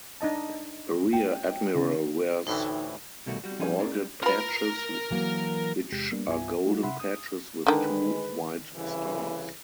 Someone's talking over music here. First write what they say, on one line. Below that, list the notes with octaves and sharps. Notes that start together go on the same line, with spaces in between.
A rear admiral wears gorget patches which are golden patches with two white stars.
D4 D#4 D#5 A5
G5
C#3
D2 A2 E3 D#4 G5
C2 B2 D#3 G3 A3 F#4
G3 F#4
F3 G3 C#4 D#4 G#5
C#4 G#4 A#4 D5
G3
F4 A#4 B4 A#5
E3 F#3 A#3
E2 C3 G#3 G4 G6
G3 A#3 B3 D4
C2 G2 B3 F4 E5 G#5
G3 A3 D#4 F4 F#4
C3 E5 F#5 B5 C6
D#6
D3 D#3 G#3 B4
C2 C#3 E3